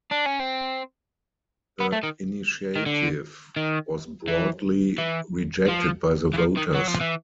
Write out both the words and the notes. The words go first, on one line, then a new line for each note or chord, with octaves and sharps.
The initiative was broadly rejected by the voters.
D4
C#4
C4
B3
A3
D#3
D#3
D3
D#3
E3
E3
F3
E3
F3
D#3
F#3
F3
E3